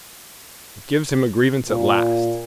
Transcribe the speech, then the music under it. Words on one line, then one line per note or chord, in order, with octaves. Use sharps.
It gives him a grievance at last.
A#2